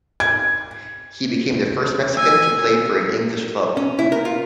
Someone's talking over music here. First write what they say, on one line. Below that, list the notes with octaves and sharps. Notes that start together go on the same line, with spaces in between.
He became the first Mexican to play for an English club.
G#6
G#5 E6
C#4
E4
A#4
F4